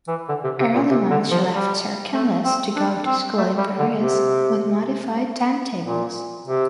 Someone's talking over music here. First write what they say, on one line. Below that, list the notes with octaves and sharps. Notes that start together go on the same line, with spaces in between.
Early one she left Sarcelles to go to school in Paris with modified timetables.
E3
D3
C3
C3
A#2
C3
D3
F3
G3
A3
C4
D4
C4
A3
G3
D3
C3
A#2
C3